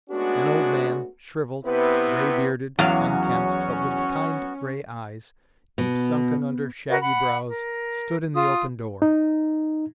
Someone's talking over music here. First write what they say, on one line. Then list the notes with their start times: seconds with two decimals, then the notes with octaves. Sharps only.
An old man, shriveled, gray-bearded, unkempt, but with kind gray eyes, deep-sunken under shaggy brows, stood in the open door.
0.10 G#3 A3 B3 C#4 D4 F#4
1.65 C3 B3 E4 B4
2.79 E2 F#3 B3 C#4 F#4 F5
5.78 B2
6.89 F#4 A#4 B4 D#5
7.02 F#5 B5
7.47 A#4
8.35 F4 D#6
9.02 D#4